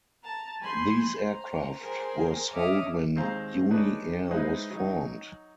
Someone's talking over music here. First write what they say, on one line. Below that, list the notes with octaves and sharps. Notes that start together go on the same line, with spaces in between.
These aircraft were sold when Uni Air was formed.
A5 A#5
G#5 B5 C6 G6
C5 A#5
G#4 A#4 C5 G5
C#5 D#5 E5 D6 D#6 F6
D#2 G#3 C4 C5 F5 A#5
D4 D#4 G#4 B4 C#5
G#3 D#4 E4 B4 C5 D#5
F#3 D#4